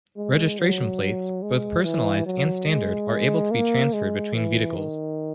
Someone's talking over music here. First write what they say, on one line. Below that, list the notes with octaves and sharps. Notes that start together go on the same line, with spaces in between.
Registration plates, both personalised and standard, are able to be transferred between vehicles.
G#3
F#3
G#3
E3
F#3
G#3
A#3
G#3
E3
D#3